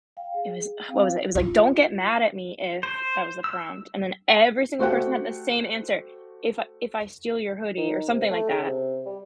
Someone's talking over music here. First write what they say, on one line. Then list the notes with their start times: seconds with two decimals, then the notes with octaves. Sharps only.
it was Ugh, what was it? It was like, "Don't get mad at me if" that was the prompt, and then every single person had the same answer, "If I if I steal your hoodie or something like that,
0.17 F5 G5
0.34 G#4
0.89 C4 F5 G5
1.35 E4 F4
2.83 C5
3.44 E6
4.79 A3 F#4 G4 C5 F#5 G5
7.77 D#3
8.09 C3
8.30 A3
8.49 C#3
8.66 C3
9.06 G3